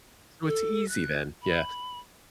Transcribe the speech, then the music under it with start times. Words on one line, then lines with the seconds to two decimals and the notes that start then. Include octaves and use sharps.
so it's easy then. Yeah.
0.46 A4
0.89 F#6
1.42 B5